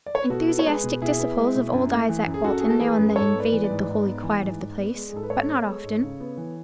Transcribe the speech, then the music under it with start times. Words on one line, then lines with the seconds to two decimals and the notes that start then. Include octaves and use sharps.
Enthusiastic disciples of old Izaak Walton now and then invaded the holy quiet of the place: but not often.
0.06 D5
0.15 C#5
0.23 B4
0.30 B2 F#4 A4
0.48 B3
0.59 C#5
0.66 G#3 G#4 B4
0.84 B2
1.01 B2 E4 G#4
1.19 B3
1.38 G#3
1.55 B2
1.73 F#2
1.91 A3
2.09 E3
2.26 F#2
2.34 G#4
2.44 F#2 F#4 A4
2.60 A3 G#4
2.70 A4
2.80 E3 G#4 B4
2.98 F#2
3.16 G#2 A4 C#5
3.34 B3
3.40 B4 D5
3.52 E3
3.64 B4 D5
3.70 G#2
3.88 G#2
4.06 B3
4.23 E3
4.41 G#2
4.59 G#2
4.77 B3
4.95 G#3
5.09 G#4
5.13 G#2 A4
5.23 B4
5.30 G#2 A4 C#5
5.48 B3
5.67 G#3
5.84 G#2
6.02 C#3
6.20 B3
6.37 E3